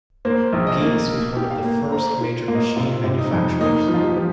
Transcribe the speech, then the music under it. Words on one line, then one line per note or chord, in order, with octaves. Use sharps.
Giesse was one of the first major machine manufacturers.
A#3 C5
A#1
D#5
A#3
A#3
G4
F5
A#3
C5 A#5
F4
A#3 F5
D#5
C3 F4
C3
D#4
F2
A#3 D#4
F3
F4
G4
F3